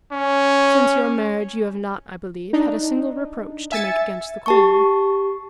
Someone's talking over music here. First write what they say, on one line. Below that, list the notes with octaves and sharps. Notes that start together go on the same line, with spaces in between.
"Since your marriage you have not, I believe, had a single reproach to make against the queen."
C#4
D4 D#4
E5 G#5 E6 A6 C#7
G4 A5 C#6